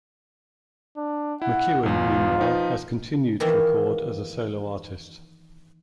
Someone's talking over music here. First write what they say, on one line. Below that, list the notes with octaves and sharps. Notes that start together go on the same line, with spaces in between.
McEuen, meanwhile, has continued to record as a solo artist.
D4
E4 F#5
B1 E2 F4
F3 D#4 B4
D#3 E3 A#3 E4